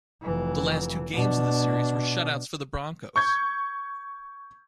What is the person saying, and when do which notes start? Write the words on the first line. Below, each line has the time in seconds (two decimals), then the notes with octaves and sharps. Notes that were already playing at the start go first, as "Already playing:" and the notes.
The last two games of the series were shoutouts for the Broncos.
0.22 F1 E3
1.13 B2 D4
3.16 C#6 G6 G#6